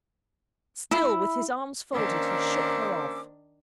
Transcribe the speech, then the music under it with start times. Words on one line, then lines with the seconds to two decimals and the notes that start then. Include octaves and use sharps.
Still, with his arms folded, he shook her off.
0.91 E4
1.93 D#3 A#3 C#4 D4 C5 D6 E6